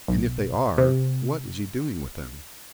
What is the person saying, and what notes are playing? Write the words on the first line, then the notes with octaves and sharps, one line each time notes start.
"And if they are, what is he doing with them?"
B1
C3